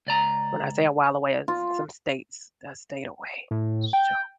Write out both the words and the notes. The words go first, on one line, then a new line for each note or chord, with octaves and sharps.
When I say a while away, it's some states I stayed away, so
C#2 D5 A#5
F4
A2
G5